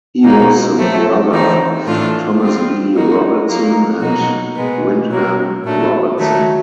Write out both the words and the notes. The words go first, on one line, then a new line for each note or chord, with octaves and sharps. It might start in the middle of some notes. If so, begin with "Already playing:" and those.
He was the brother of Thomas B. Robertson and Wyndham Robertson.
B2 F#3 A#3 D#4
F#3 A3 C4
E3 A3 C4 D#4
A2 E3 A3 D4 F4
G3 C4 F4
F#3 A#3 D#4 F#4
F#3 A#3 D#4
B2 F#3 A#3 D#4 F#4
B2 G#3 B3
B2 F#3 A#3
A#2 F#3 A3 D4
D#3 F#3 A3